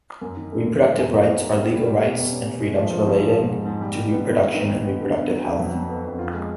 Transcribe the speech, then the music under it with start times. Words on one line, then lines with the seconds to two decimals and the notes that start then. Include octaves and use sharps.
Reproductive rights are legal rights and freedoms relating to reproduction and reproductive health.
0.21 F#2
0.37 D#3
0.52 A3
0.66 F#2
0.82 F#3
0.97 F#2
1.12 F#3
1.27 F#3
1.42 A#3
1.57 G3
1.71 G3
1.87 G3
2.02 B2
2.17 B2
2.32 C#4
2.46 C#4
2.61 G#3
2.76 F3
2.91 F3
3.06 G#2
3.20 F3
3.36 G#3
3.50 G#2
3.65 G#2
3.81 G3
3.95 D#3
4.11 B3
4.25 B3
4.40 G3
4.55 D#3
4.70 D#3
4.84 B3
5.01 D3
5.15 B3
5.30 F#3
5.45 F2
5.59 F#3
5.75 F#3
5.89 B3
6.05 F2
6.19 F4
6.34 G#3